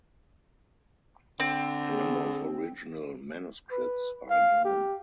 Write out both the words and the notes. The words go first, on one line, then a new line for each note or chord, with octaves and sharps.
A number of original manuscripts are known.
D3 C4
G#4
B4
F5
G4